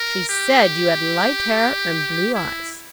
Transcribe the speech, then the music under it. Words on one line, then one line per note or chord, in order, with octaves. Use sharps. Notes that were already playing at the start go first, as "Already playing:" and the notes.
"She said you had light hair and blue eyes."
Already playing: A#4
G4
E4